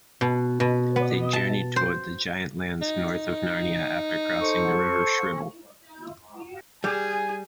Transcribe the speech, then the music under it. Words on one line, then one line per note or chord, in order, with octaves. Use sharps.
They journey toward the giant-lands north of Narnia after crossing the River Shribble.
B2
B2
B3
A5
C5
D#4
A4 C5 C#6
G3 G#4 G#5